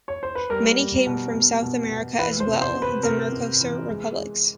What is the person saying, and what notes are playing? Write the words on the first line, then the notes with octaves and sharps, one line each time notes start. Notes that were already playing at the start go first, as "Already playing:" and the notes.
Many came from South America as well-the Mercosur Republics.
C#5
C5
B4
G3 A#4
A#3
B2
B2
B2
B2
E3 B4
C5
C3
C5
C3
B4
C3 A#4
C3
E3
G#3
G#3